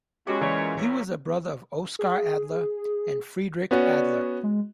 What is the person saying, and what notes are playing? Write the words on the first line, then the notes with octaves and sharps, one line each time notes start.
He was a brother of Oskar Adler and Friedrich Adler.
B2 G#3 C#4 F#4 G4 C#5 D6
A#2 E3 C#5 D5
E2 A#2 C#5
G#4
B3 C#4 F#4 D5
G#3